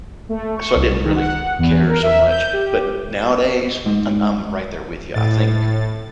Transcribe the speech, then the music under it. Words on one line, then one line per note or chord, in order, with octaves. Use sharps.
so I didn't really care so much, but n nowadays, I'm I'm right there with you. I think
A3
C#6
C2
D#3
F#5
E2
A#4
E5
G6
G4
G#2
A2 A6